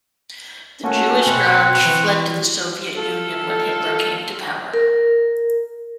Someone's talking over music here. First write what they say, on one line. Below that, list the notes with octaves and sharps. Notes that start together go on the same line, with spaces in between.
The Jewish Granach fled to the Soviet Union when Hitler came to power.
A3 A#3 C#4 F#4
B2 C4 B4 C#6
E3
F4 A4
A#4